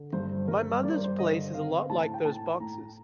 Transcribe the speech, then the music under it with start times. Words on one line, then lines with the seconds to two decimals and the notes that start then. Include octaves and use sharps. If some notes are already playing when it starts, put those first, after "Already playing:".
My mother's place is a lot like those boxes.
Already playing: D3
0.13 G2 C5
0.48 G2 A#4
0.83 G2 D5
0.91 C5
0.97 A#4
1.04 C5
1.19 D3 D#5
1.54 C4 F5
1.89 A2 A5
2.14 G5
2.25 A2 A5
2.60 A2 A#5